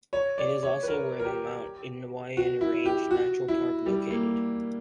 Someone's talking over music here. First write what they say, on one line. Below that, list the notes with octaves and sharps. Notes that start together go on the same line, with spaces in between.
It is also where the Mount Inayawan Range Natural Park located.
C#5
D5
C#5
B4
A#4
A#4
G4
F#4
E4
G4
F#4
E4
G3
A#3